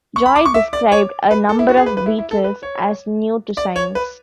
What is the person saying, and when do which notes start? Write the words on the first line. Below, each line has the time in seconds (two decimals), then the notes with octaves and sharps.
Joy described a number of beetles as new to science.
0.16 C#6
0.26 B5
0.36 D6
0.46 C#6
0.54 E5
0.73 D5
0.92 C#5
1.31 B4
1.49 A4
1.59 E4
1.69 F#4
1.77 G#4
1.86 B4
1.97 B4
2.06 E4
2.18 E4
2.31 A4
2.44 B4
2.63 C#5
3.57 D5
3.76 C#5
3.95 B4